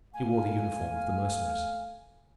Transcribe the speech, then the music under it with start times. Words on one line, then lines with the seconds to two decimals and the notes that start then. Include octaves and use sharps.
He wore the uniform of the Mercenaries.
0.14 A3 F5 G#5